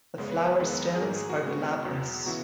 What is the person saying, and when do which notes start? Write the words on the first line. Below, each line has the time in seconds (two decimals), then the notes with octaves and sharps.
The flower stems are glabrous.
0.18 F#2 C#3 G#3 B3
0.27 C#5
0.32 B4
0.46 C#5
0.60 E2 D#3 G#3 B3 B4
0.94 G#4
1.01 G#2 D#3 F#3 A#3 A#4
1.15 G#4
1.30 F#4
1.43 C#3 G#3 B3
1.85 E2 B2 F#3
2.26 C#3 E3 B3 F#4